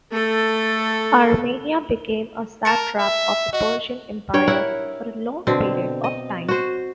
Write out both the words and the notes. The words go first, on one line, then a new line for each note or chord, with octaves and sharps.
Armenia became a satrap of the Persian Empire for a long period of time.
A3 A4
A#4 A5 A6 C#7
E5
F#4 D#5
G2 C#5 G5
E4 A#4 E5 F#5
B2 D3 C4
D#5
F#4 C5